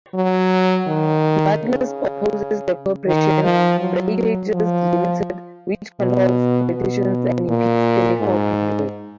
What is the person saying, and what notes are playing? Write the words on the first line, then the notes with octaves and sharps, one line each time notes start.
Magnus opposes the corporation "Breakages, Limited", which controls politicians and impedes technical progress.
F#3
D#3
C#3
D#3
F3
F#3
F3
B2
B2
A#2
G#2